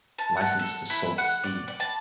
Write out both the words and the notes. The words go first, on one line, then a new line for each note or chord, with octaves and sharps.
Licensed to Sault Ste.
A5
F#5
A4
E4
F#5
D5
D5
A5